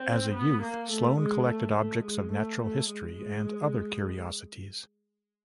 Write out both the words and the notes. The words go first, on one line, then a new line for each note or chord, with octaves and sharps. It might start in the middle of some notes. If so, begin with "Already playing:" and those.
As a youth, Sloane collected objects of natural history and other curiosities.
Already playing: C4
B3
A#3
A3
G#3
A3
A3
G#3
A3
A3
G#3
G#3